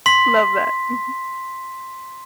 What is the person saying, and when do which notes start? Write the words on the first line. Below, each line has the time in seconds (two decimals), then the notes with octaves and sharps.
Love that. Mhm.
0.06 C6 B6